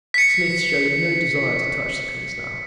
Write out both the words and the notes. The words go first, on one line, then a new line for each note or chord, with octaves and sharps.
Smith showed no desire to touch the things now.
B6 C#7